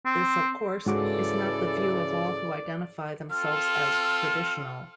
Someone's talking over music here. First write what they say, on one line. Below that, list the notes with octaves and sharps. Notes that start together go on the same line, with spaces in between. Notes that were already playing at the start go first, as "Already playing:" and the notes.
This, of course, is not the view of all who identify themselves as "traditional".
C4
G#2 C#3 E3 F#4 A4 D5 D6
C4 F4 A4 F6